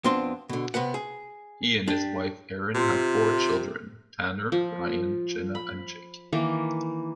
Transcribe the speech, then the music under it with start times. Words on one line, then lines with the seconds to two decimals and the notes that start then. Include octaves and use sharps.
He and his wife Erin have four children: Tanner, Ryan, Jenna and Jake.
0.04 F2 B3 C4 D4 C6
0.49 B2 D3
0.74 C3 B3 B4 F#5
0.94 G#4
1.88 D4 G4
2.74 C3 F4
4.52 F3
5.55 B5
6.33 D#3 E3 A#3